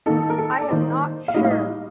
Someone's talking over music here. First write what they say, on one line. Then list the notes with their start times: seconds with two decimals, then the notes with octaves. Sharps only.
I am not sure.
0.06 D#3 A#3 D#4 A4
0.30 A#4
0.38 A4
0.61 D5
0.70 D#3 A#3 D#4 C5
1.28 F5
1.34 A2 G3 A#3 D#4 D#5
1.44 F5
1.51 D#5